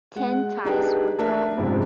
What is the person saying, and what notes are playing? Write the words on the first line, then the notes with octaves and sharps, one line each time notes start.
Ten ties were drawn.
G#3 F#5
D4 D#4 G4 G#4 B4
A3 D4 A#4 E5
F#1 G#2 C3 F3